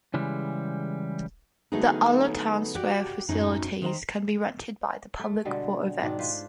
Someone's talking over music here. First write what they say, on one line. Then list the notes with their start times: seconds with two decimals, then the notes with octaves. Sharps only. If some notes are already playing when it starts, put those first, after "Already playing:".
The Olla Town Square facilities can be rented by the public for events.
0.14 C#3 E3 G3 G#3
1.72 D3 F#3 A3 B3 D#4 G#4
2.75 F#4 G4 D5
3.29 F#2 A2 F#3 C#4 D#4
3.81 D#3 C5 F5 A#5
5.19 A3
5.45 B2 D3 G3 G#3
6.02 G#2 B2 D#3 D4
6.19 F4 B4 C5